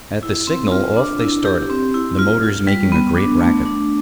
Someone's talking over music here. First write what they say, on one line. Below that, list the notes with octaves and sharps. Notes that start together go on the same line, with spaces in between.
At the signal off they started, the motors making a great racket.
E4
C4
F4
D4
E4
G4
C4
E4
F4
F4
G3
B3
D4
A3
D4